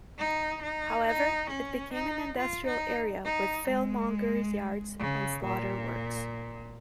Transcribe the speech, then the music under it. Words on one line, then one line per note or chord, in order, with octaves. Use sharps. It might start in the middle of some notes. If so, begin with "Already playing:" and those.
However, it became an industrial area with fellmongers yards and slaughter works.
D#4
D#4
D#4
C#4
D#4
F4
D#4
D#4
G#3
C#3
A#2